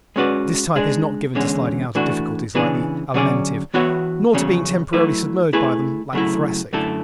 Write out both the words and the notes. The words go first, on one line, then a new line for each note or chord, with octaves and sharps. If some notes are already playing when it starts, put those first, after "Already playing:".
This type is not given to sliding out of difficulties like the Alimentive nor to being temporarily submerged by them like the Thoracic.
G#3 C#4 F#4 B4 D5
G#3 D4 G#4
E2 D3 G#3 C#4
E3 A3 D4 F#4
C#3 E3 B3 D4 G#4
D3 F#3 C#4 G#4 D5
E3 B3 F#4 C#5 E5
E2 C#3 F#3 C#4
F#3 A3 E4 B4
A3 E4 G#4 B4
C#3 F#3 A3 E4
F#2 D3 A3 E4 A4